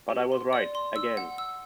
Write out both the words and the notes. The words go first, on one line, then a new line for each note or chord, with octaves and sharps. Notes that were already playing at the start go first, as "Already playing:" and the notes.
But I was right - again!
G4
C6
D5
C6
E6
F#5
E6